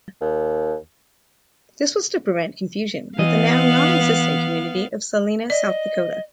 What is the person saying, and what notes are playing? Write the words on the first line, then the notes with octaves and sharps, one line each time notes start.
This was to prevent confusion with the now non-existent community of Salena, South Dakota.
D#2
E3 B3 D#5 F5
D5 D#5